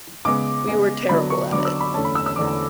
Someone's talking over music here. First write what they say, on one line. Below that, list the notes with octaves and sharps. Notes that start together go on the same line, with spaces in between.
We were terrible at it.
C#3 G#3 B3 D6
C#3 G#3 B3
D3 F#3 B3 D4 B5
C#6
D3 F#3 B3 D4 D6
E6
B5
E2 D3 A3 C#4 A5
B5
E6
E6
E2 D3 A3 C#4 D6